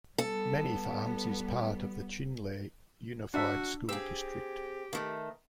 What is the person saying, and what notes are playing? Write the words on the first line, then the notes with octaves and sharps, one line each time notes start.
Many Farms is a part of the Chinle Unified School District.
G3 B3 A4
D4 F#4 E5
C4 G4 G#4 E6
D#3 A3